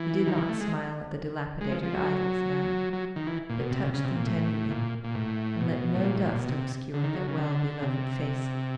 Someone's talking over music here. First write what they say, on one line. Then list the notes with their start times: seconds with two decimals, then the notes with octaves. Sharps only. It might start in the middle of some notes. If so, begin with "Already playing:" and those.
She did not smile at the dilapidated idols now, but touched them tenderly, and let no dust obscure their well-beloved faces.
Already playing: E3
0.27 D#3
0.38 E3
0.49 A3
0.61 G#3
1.61 G#3
1.72 F3
1.82 F3
1.94 F#3
2.93 F#3
3.16 D#3
3.27 E3
3.49 A#2
3.61 B2
3.71 C3
3.83 C#3
3.94 C#3
4.04 C3
4.16 A#2
4.27 A2
4.71 A#2
5.04 A#2
5.15 A2
5.60 B2
5.95 A2
6.04 A#2
6.15 A2
6.26 A#2
6.38 B2
6.49 C3
6.94 D3
7.04 D#3
7.15 F#3
7.28 C#3
7.37 D3
7.82 C3